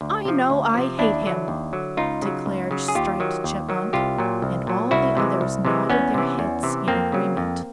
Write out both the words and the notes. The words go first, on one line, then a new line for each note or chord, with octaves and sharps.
"I know I hate him!" declared Striped Chipmunk, and all the others nodded their heads in agreement.
D2
C3 F3
D2
C3 F3
D#2 D4 E4
D3 F#3
D#2
D3 F#3
C#2 D#4 F4
C#3 F#3
C#2
C#3 F#3
G#4
D#2 F4 G4
D#3 F#3
D#2
D#3 F#3
C2 F4 G4
A#2 F#3
C2
A#2 F#3
C2 E4 F#4
C3 E3 G#3
C2
C3 E3 G#3
E2 B3 C#4
C3 E3
E2
C3 E3
F2 A#3 C4
C#3 F#3
F2